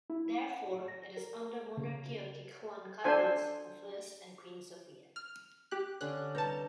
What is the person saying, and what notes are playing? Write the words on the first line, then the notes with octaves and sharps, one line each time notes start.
Therefore, it is under monarchy of King Juan Carlos the First and Queen Sofia.
E4
F#5
A#6
A#4
C#3
D4 A4 C5 G#5
F6
G4 F#6
D3 C#4 D4 F#6
C2 B4 A5 A#5 G6